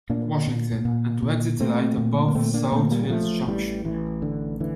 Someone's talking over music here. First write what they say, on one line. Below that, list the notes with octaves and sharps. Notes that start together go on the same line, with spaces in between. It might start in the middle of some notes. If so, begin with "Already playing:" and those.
Washington, and to exit right above South Hills Junction.
A#2 A#3 D4
A#2
A#2
A#2
A#2 A3 C4
A#2
A#3
A#2 A3 C4
A#3 D4
A#2 A3 C4
C4
G3 A#3
A#3
A1 F3 A3
A1 E3 G3
A1 E3
D3
D3 E3